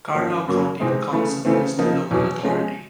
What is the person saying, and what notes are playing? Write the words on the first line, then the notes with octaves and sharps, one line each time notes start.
Carlow County Council is the local authority.
G#2 F3 A#3 C#4
F#2 C#3 F#3 A#3
C3 E3 G#3 C4 D#4
C#3 E3 A3
C#3 E3 A3 C4
C#3 F3 A#3 D#4
E2 B2 F#3
F3 G#3 C#4